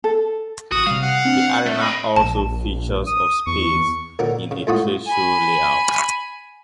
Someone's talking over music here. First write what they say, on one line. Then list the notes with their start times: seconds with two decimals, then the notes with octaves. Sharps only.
The arena also features of space in a trade show layout.
0.04 A4
0.72 A1 F#4 D#6
0.87 C3 G3 F5
1.03 F#5
1.25 C4 D4
1.67 A3
1.81 A#4 D#5 B5 F6 C7
2.16 A#1 A5
3.07 D#6
3.47 E2 C#6
4.19 A#1 D3 F#3 A#4 F#5
4.51 C#3
4.67 F2 A2 A3 F4 F#4 D#6
5.07 G#5 B5